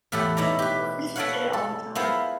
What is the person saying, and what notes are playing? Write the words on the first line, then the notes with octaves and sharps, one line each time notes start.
Well, she did it all the time.
E2 A2 E4 G4 A4 F#5
B2 D#4 E4 C#5 D5 A#5
G4 B4
F#4 A4 B4 C#5 F5 F#5
A4
B3 E4 F4 G#4 A#4 C5